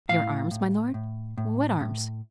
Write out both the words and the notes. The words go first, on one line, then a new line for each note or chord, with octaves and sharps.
"Your arms, my lord--what arms?"
A2 F5
A2
A2
A2
A2